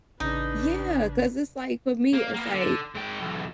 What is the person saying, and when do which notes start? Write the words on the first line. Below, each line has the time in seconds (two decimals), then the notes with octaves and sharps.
Yeah, 'cause it's like for me, it's like
0.20 A1 C#3 D4 D#4 B4
2.13 A#3
2.34 A#3 B3
2.53 D3
2.95 G#2 G5
3.21 B1 E2